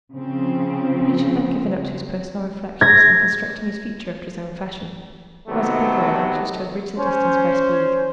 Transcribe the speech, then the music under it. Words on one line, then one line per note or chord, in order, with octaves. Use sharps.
Each of them given up to his personal reflections, and constructing his future after his own fashion, was, above all, anxious to abridge the distance by speed.
C#3 F3 C4
G#6 A#6
C3 D#3 F#3 A3 B3
C#4 C5